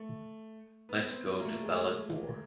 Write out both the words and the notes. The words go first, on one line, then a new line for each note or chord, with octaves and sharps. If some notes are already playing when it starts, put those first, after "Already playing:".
Let's go to Balaguer.
Already playing: A3
B3
C4
G3
A#3
A3
G#3